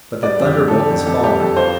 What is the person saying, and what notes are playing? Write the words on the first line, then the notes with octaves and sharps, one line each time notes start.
But the thunderbolt has fallen.
G3 D5
F2
G4
F2
A4
D3
F2
F2 A4
G3 G4
F2 A4
F4 C5